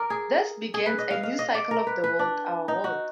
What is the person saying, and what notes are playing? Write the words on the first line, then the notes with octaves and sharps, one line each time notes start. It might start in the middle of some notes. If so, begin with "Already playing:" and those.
Thus begins a new cycle of the world: our world.
Already playing: A#4 D5
G#4
G#4
B4
D#5
F5
F5
D#5
D5
A#4
B4
B4
D4
D#4
F#4